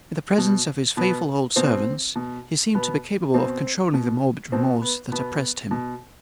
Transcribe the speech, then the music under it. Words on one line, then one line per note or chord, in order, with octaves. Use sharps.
In the presence of his faithful old servants, he seemed to be capable of controlling the morbid remorse that oppressed him.
B2
B2 B3
B2 C4
B2
B2 B3
B2 C4
B2
B2 C4
B3
B2 B3
B2